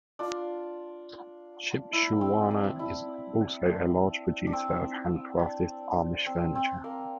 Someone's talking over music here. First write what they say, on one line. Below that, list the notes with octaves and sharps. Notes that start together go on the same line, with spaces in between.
Shipshewana is also a large producer of handcrafted Amish furniture.
D4 F4
E4
C4
D4
E4
D4
D4
C4
D4
C4
C4
A#3